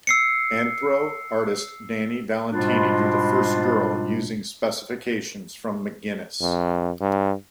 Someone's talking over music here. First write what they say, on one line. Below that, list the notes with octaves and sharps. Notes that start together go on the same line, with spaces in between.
Anthro artist Danny Valentini drew the first girl using specifications from McGuinness.
E6 C7 C#7
G#2 B2 G3 G#3 D4 F4
F2
G2